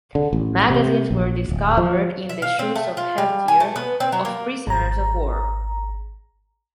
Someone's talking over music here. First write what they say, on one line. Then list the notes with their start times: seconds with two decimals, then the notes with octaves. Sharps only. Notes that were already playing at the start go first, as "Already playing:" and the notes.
Magazines were discovered in the shoes or headgear of prisoners of war.
0.15 D3
0.33 A1
0.70 C3
1.11 A#1
1.49 D1
1.77 F3
2.29 E5
2.42 F5
2.59 C4
2.75 A3
2.97 F4
3.18 G3
3.48 G#5
3.60 A3
3.76 B3
4.00 C4
4.12 F#3
4.25 A#3
4.67 G#1 A#5